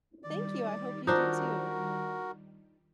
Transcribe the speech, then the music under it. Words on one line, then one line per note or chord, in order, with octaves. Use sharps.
Thank you, I hope you do too.
D#3 G3 D5
D4 D#4 F4 F#4 A#4 C5